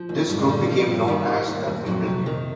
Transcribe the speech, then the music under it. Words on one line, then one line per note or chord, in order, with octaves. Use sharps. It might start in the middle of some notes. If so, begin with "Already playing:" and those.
This group became known as the Muiderkring.
Already playing: F3
D#2
G2 G3
G#3
D3 G3
F3
G2
D#3 G3
D#3
D#2
D#2
F2 F#3
C3
D#3